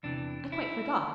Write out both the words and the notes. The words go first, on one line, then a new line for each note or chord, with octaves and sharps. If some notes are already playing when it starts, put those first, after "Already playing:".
I quite forgot!
E2 C3 E3 D4
E4